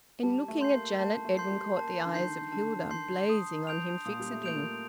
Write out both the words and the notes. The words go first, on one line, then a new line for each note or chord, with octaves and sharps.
In looking at Janet, Edwin caught the eyes of Hilda blazing on him fixedly.
G3 A5
A3
C6 G6 C7
A#3
A3 A5
A3
C6 G6 C7
G3
A#3 A5
D3
D#3 C6 G6 C7
D3 A5
C6 G6 C7
D#6
G6 D7 F7
A#2 D#6
G3
A3
A3 G6 D7 F7
A#3